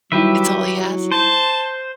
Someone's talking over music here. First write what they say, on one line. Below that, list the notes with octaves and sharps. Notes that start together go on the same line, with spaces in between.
It's all he has.
D#3 F#3 G3 E4 G4 B4 E5
C5 A5